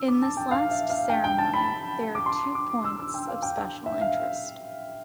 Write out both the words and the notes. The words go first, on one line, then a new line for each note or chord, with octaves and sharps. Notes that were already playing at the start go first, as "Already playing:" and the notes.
In this last ceremony, there are two points of special interest.
Already playing: E6
D6
A5
G5
F5
E5
F5
G5
G5
A5
B5
D6
C6
D6
E6
E6
G5
F5
G5
G5
E5
F5